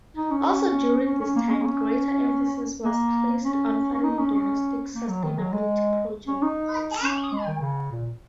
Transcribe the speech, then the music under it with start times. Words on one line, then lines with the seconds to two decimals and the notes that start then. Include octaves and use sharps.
Also during this time, greater emphasis was placed on funding domestic sustainability projects.
0.17 D#4
0.31 C#4
1.06 C#4
1.21 C#4
1.36 A#3
1.51 C#4
1.61 A#3
1.66 C#4
2.85 A#3
3.44 C#4
3.94 C#4
4.04 D#4
4.19 C#4
4.34 C#4
4.93 A#3
5.08 F#3
5.23 D#3
5.38 F#3
5.53 G#3
6.27 C#4
6.42 D#4
7.03 C#4
7.32 G#3
7.47 D#3
7.61 C#3
7.91 A#2